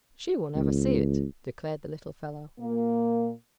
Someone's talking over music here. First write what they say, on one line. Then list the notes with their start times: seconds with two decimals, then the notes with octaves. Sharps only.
"She will never see it," declared the little fellow.
0.55 C#2
2.60 A#2 A#3